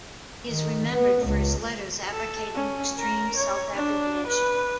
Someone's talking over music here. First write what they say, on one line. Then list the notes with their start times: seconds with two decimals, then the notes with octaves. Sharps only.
He is remembered for his letters advocating extreme self-abnegation.
0.51 D#3
0.94 B3
1.26 C#2
2.12 A4
2.55 C#4
2.98 A#4
3.37 C#5
3.74 D4
4.27 B4